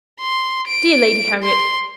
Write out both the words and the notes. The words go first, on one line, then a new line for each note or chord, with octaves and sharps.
Dear Lady Harriet!
C6
D7
C6